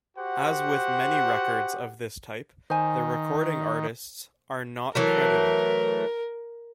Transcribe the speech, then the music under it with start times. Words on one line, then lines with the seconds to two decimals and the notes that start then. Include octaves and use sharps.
As with many records of this type, the recording artists are not credited.
0.17 F#4 G4 C5 F#5
2.70 D#3 C5 G#5
4.95 E3 F#3 A3 A#4